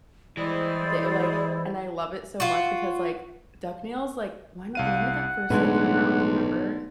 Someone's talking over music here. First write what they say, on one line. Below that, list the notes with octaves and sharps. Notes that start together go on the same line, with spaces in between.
the like and I love it so much because like duck nails, like, when when, eh, did that first, like, come out? Do you remember?
E3 G3 G#3 E4 C5 D5
F4 F#4
C2 F5 F#5 D#7
B1 A2 D3 G#3 B4